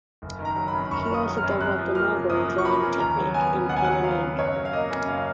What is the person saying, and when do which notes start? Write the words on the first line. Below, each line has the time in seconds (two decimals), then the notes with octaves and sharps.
He also developed a novel drawing technique in pen-and-ink.
0.22 F#1
0.39 D#3
0.45 A#5
0.56 F#3
0.68 B5
0.74 F#2
0.85 B5
0.91 F#1 C#6
1.06 D#3 C#6
1.14 D#6
1.26 F#3
1.38 F6
1.44 F#2
1.61 F#2 F#6
1.78 F3
1.95 A#3 F6
2.13 C#3
2.30 F#2 D#6
2.48 F3
2.58 C#6
2.65 A#3 B5
2.82 C#3
3.00 D#2 A#5
3.17 F#3
3.34 B3 G#5
3.52 C#3
3.69 D#2 F#5
3.77 G#5
3.84 F#3 F#5
4.03 B3 F5
4.21 C#3
4.38 F#2 C#5
4.56 F#3
4.65 F5
4.73 A#3 D#5
4.90 C#3
5.08 F#2 F5